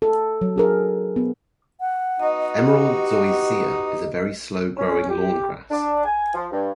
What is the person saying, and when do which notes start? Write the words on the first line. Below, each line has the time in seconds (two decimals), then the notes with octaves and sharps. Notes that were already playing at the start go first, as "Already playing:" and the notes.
Emerald Zoysia is a very slow growing lawn grass.
0.02 A4
0.41 F#3
0.56 D4 G#4 A#4
1.16 B3
1.80 F#5
2.20 B3 D#4 F#4 D#5
2.58 G4
4.77 C#4
5.08 G4
5.70 D4
6.04 G#5
6.34 F3
6.52 G2